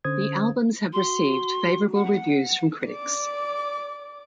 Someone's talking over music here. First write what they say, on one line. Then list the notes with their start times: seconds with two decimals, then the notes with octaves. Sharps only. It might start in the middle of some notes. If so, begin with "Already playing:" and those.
The albums have received favorable reviews from critics.
0.04 D3 C#4 C5 D#6 G#6
0.93 F#4 C6
1.95 F#5
2.86 D5 D6